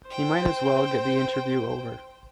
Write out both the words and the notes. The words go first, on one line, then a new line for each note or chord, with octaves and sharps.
He might as well get the interview over.
C5 G5